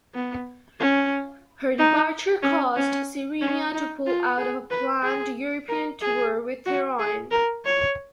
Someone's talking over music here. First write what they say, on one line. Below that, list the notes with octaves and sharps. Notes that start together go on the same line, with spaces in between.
Her departure caused "Sirenia" to pull out of a planned European tour with "Therion".
B3
C#4
D#4
C#4
C#4
C#4
D#4
F4
G#4
B4
G#4
A#4
G#4
F#4
G#4
A#4
C#5